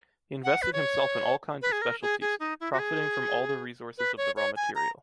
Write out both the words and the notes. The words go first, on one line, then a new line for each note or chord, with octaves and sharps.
He invested himself in all kinds of specialties, profiting from all the resources of the raw material.
F#5
B4
C#5
B4
G#4
A#4
G#4
G#4
D#4
E4
F#4
G#4
B4
C#5
C#5
G#5
A#5